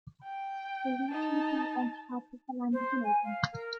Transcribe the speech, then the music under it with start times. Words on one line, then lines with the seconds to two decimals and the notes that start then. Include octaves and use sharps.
The region is identified with the land of Maydan.
0.24 G5
1.11 D#4 A5
2.73 C5
3.04 G#5
3.24 F5
3.53 A#4